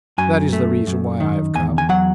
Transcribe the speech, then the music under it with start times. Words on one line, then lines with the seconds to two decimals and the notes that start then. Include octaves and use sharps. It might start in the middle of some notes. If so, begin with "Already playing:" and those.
That is the reason why I have come.
0.18 F#2 G#5
0.53 A3
0.87 F#2
1.20 D#3
1.55 E2 G#5
1.78 G#5
1.89 F#3 F#5